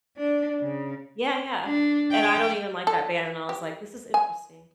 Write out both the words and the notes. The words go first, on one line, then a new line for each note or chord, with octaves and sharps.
Yeah, yeah, and I don't even like that band, and I was, like, "This is interesting."
D4
C#3
D4
G5
A4
G4
G#5